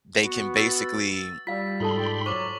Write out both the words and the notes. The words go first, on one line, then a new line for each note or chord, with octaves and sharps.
they can basically,
B3 F#4
E6 A6
G3 F4 F5 B6
G#2 F4 A4 A5 B5 C6
G4 D5
F#3 C5 C#6 D6 F#7